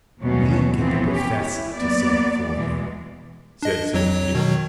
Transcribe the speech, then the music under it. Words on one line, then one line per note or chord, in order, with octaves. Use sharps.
"We'll get the Professor to sing it for you," said Sylvie.
D#2 B2 F#3 G3 A3 C#4
E3 F3 B3 C4
C#4 G4
E4
F#3 A#3 B3 D5
E2 B2 E3 G#3
D4 D#5
F2 F#3 C#5
B2 D#3 F#3